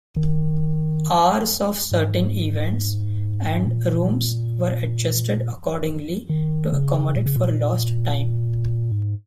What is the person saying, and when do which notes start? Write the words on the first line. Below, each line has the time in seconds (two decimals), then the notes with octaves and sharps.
Hours of certain events and rooms were adjusted accordingly to accommodate for lost time.
0.16 D#3
1.92 G#2
3.67 A#2
6.29 D#3
6.72 C#3
7.16 A#2
7.26 C#3
7.36 A#2
8.92 G#2